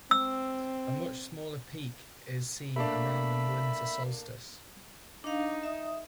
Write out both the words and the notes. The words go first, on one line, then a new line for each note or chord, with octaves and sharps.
A much smaller peak is seen around the winter solstice.
C4 E6
A3 A#3 D4 E5 B5
D4 D#4 F5
E5 D#6